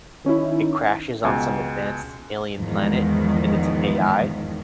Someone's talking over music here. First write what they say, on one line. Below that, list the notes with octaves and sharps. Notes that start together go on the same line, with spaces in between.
it crashes on some advanced alien planet, and it’s an AI
D#3 C#4 D#4 E4
C#2 B2 G#5
E2 G#2 D#3 F3